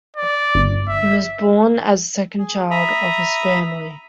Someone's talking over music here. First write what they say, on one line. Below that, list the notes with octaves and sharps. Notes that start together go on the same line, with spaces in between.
He was born as the second child of his family.
D5
G1
E5
G#4
E5 A#5 B5 D#6